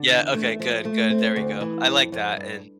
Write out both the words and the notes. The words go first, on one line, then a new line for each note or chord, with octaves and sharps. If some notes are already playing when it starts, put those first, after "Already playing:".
Yeah, okay, good, good, there we go. I like that, and,
Already playing: D3
E2
A3
F3
A3
C4
D2
E3
F2
F2
G2